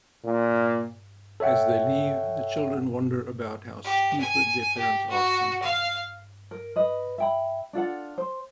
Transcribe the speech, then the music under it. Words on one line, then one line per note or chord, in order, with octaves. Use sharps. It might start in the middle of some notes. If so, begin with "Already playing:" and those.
As they leave, the children wonder about how stupid their parents are sometimes.
A#2
A4 C#5 E5 F#5 G5
G4
G#5
G4
F#4
F5
A#4
B4 D#5
E5 G5 B5
D4 F4 A4 F#5
C5